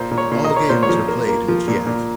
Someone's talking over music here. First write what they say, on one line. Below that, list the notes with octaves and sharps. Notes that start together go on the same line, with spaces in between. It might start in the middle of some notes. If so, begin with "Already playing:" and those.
All games were played in Kyiv.
Already playing: A#2 C5
A#2
C#5
A#2
D#5
A#3
C#5
A#2 C5
C#5
F3
A#3
A#3
F3
A#2
A#2